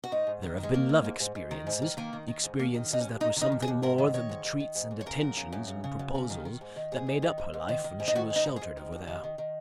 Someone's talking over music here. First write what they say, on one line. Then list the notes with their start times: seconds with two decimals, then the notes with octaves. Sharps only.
There have been love experiences; experiences that were something more than the treats and attentions and proposals that made up her life when she was sheltered over there.
0.04 F#4
0.12 G#2 D#4
0.27 G#2
0.43 D#3
0.58 D#3
0.63 G#3
0.74 D#3 A#3
0.89 D#3
1.04 G#2
1.20 G#2
1.35 G#2
1.51 D#3
1.67 G#2
1.82 D#3
1.97 D#3 A#3
2.13 D#3
2.28 D#3
2.44 G#2
2.59 D#2 A#3
2.74 D#3
2.91 D#2 D#4
3.01 C#4
3.05 D#2
3.20 D#3 D#4
3.36 D#3
3.41 D#4
3.52 D#2
3.62 G#4
3.68 D#2
3.82 G#2 A#4
3.98 D#3
4.14 D#3 C#5
4.29 G#2
4.44 D#3
4.60 D#3
4.75 G#2
4.91 G#2
5.01 C#5
5.06 C#3 A#4
5.21 F#2
5.37 C#3
5.52 F#2
5.68 C#3
5.84 C#3
5.99 F#2
6.15 C#3
6.30 D#3
6.45 D#3
6.61 G#2
6.76 D#3
6.92 G#2 G#4
7.07 G#2
7.22 D#3
7.38 G#2
7.54 G#2
7.69 D#3
7.84 D#3
8.00 G#2
8.08 D#4
8.15 D#3 F#4
8.30 G#2
8.36 D#4
8.46 G#2
8.56 G#4
8.61 G#2
8.77 D#3
8.92 D#2
9.08 D#3
9.24 D#3
9.38 D#3